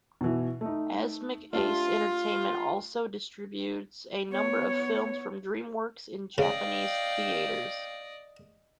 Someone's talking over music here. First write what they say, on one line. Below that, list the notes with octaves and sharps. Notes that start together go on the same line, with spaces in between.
Asmik Ace Entertainment also distributes a number of films from DreamWorks in Japanese theaters.
B2 E3
A3 D#4
A3 D4 F4 G4
B3 C#5
C#3 D5 D#5 F5 G5